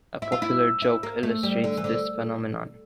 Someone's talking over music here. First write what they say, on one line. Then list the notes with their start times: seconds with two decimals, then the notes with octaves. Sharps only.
A popular joke illustrates this phenomenon.
0.22 E4
0.32 F4
0.42 E4
0.82 E4
1.03 A#3
1.23 A3
1.43 G3
1.64 D3
1.77 E3
1.84 D3